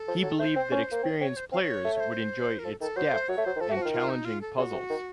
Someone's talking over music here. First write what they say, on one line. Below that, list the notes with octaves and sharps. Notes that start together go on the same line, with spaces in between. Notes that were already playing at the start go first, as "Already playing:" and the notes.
He believed that experienced players would enjoy its depth and challenging puzzles.
Already playing: A4
F3
F#3
A3 C5
C4
C#4
A#3
C4 C#5
C4 C#5
C5
C4 F5
C#5
A3
C#5
C5
A#4
F3 A4
D#3 A4
F#3 C5
A3
F#3 C#5
A3
F#3 C5
D#3
F3 A4
A3
F3 F#4
F4
D#3
F4
D#4
F4
A4
C#3 F#4
C3
D#3